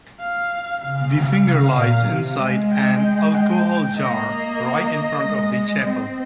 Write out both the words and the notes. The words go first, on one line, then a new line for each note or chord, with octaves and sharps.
The finger lies inside an alcohol jar right in front of the chapel.
F5
C#3 F5
C#3
A#2
C3
G#3
G5
G5
A#3 D#5
G#3
C4